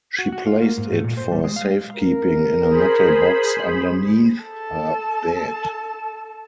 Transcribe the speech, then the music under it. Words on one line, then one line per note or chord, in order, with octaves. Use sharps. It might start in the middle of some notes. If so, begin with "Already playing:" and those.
She placed it for safekeeping in a metal box underneath her bed.
F#4
F#4
F4
A#3
G#2
A3
A#2
C5
G3
G#3
F5
A#4
G#4 C5 B5
A4 A5